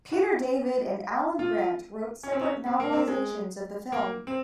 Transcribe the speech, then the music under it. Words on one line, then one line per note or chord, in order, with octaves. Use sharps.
Peter David and Alan Grant wrote separate novelizations of the film.
F#4
F4
C#4
C4
C#4
C4
A#3
C4
G#3
A#3
C4